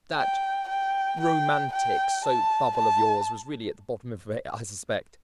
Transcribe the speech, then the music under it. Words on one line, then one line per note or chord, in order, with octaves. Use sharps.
That 'Romantic' soap-bubble of yours was really at the bottom of it, I suspect.
G5
G5
G5
G5
A5
A5